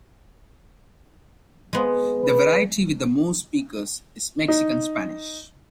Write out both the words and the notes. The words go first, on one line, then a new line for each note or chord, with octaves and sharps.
The variety with the most speakers is Mexican Spanish.
G#3 B3
B4
D#4